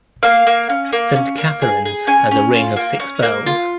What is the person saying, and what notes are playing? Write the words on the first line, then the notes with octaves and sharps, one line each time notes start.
Saint Katharine's has a ring of six bells.
A#3 F5
A#3
C#4
A#3
C#4
A#3
G#4
G#4
C#4 G#5
C#4
F4
A#3
C#4
A#3
F4